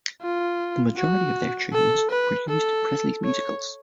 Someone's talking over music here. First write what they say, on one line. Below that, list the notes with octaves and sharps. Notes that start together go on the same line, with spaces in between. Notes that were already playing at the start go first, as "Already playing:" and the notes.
The majority of their tunes were used in Presley's musicals.
F4
F#4
A4
B4
A4
C#5